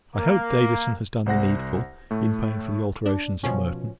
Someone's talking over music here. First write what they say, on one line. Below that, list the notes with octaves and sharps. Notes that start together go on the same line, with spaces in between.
I hope, Davison has done the needful, in paying for the alterations at Merton.
A#3
C2 C5 F#5 A#6
A2 A3
D4
B2 F3 C#4